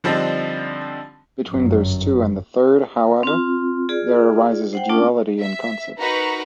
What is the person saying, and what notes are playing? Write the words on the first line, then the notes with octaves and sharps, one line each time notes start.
Between those two and the third, however, there arises a duality in concept.
D3 F3 G3 C4 D4 D#4
G1 F#2
C4 F4
F4 G#4 D5
C5 F#5 G5
A3 C#4 D4 F4 A5
E5
D#4 F#4 A#4 B4 A#5 C#6